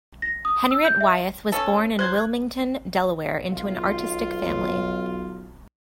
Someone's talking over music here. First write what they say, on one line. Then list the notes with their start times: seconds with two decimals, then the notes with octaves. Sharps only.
Henriette Wyeth was born in Wilmington, Delaware, into an artistic family.
0.22 A#6
0.45 D#6
0.71 E6
0.85 G6
1.01 E5
1.52 C#4 A4
1.99 C5 F#6 G#6
3.47 B1 F4